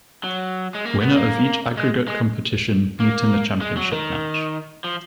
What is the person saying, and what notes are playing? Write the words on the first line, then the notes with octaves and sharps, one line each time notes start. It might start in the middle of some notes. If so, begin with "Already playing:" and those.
Winner of each aggregate competition meet in the Championship match.
F#3
G#3
A#3
B3
A#3
G#3
G#3
A#3
G#3
F#3
D#3
F3